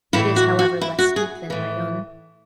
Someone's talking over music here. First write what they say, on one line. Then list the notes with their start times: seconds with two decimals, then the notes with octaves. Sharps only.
It is, however, less steep than Mayon.
0.13 A2 E3 E4
0.36 F#4
0.59 F#4
0.81 E4
0.99 F#4
1.16 G#4
1.50 A2 E3